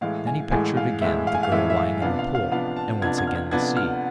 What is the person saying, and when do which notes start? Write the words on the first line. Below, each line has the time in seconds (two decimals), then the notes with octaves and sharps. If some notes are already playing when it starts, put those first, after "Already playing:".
Then he pictured again the girl lying in the pool, and once again the sea.
0.01 A2 E3 G#3 F5
0.27 G#5
0.51 A2 E3 G#3 G#5
0.77 F5
1.02 A2 E3 G#3 E5
1.27 F5
1.35 G#5
1.43 F5
1.52 A2 E3 G#3 E5
1.70 E5
1.76 F5
2.02 C3 F3 B3 D4 F5
2.19 F5
2.35 F5
2.51 C3 F3 B3 D4 F5
2.76 A5
3.02 C3 F3 B3 D4 G#6
3.18 G#6
3.27 F6
3.35 G#6
3.51 C3 F3 B3 D4 G#6
3.77 F6